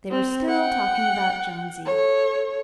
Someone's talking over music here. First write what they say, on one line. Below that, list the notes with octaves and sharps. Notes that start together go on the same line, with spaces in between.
They were still talking about Jonesy.
C4
F#5 G5
A4 C#5